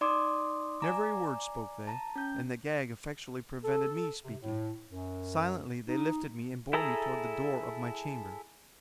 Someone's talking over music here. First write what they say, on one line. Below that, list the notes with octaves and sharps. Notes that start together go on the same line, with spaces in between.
Never a word spoke they, and the gag effectually prevented me speaking. Silently they lifted me and bore me toward the door of my chamber.
D#4 D5 C6 D6 D#6
D5 G#5 A#5 D6
A5 A#5
C#4 G6
A4
C3
A2
F#2
D#4
E4 G#4 A4 A#5